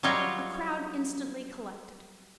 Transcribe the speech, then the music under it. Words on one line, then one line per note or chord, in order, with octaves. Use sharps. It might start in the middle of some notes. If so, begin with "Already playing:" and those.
A crowd instantly collected.
F#3 G3 D#4 F4 A#4 C#5